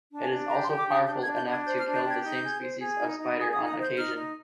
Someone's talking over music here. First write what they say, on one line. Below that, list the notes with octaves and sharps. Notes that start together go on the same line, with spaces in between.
It is also powerful enough to kill the same species of spider on occasion.
D4
G#5
D4
G4 A#5
C6
G4
D6
D4 D#6
D4 G6
G#6
D4
G6
D4
G#6
C5 G6
F6
D4
G6
G4 G#6
D#4 G6
G#4
C5
G#4
D#4
D#4
G#4 D#6
D#6
D#4
D#6
C5 G6
D#4 F6
D#4